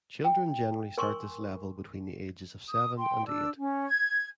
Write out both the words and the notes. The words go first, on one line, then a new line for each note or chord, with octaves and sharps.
Children generally start this level between the ages of seven and eight.
G5
A#4 G#5 C6 C#6
D#6
G5 C6
D4 E6
C#4
G#6